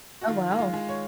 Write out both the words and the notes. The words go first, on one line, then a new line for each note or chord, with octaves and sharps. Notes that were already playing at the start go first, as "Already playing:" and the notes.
Oh, wow.
F#4
D#3 F4
G#3
F4
G#3
C#5